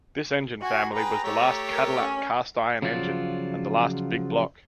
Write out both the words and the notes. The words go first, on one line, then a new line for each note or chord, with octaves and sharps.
This engine family was the last Cadillac cast-iron engine, and the last 'big-block'.
F#4 G#5
G#4 B4 G5 A#5
A3 G4 C#5
A#4
C#4
C#3 F3 F#3 F4 D5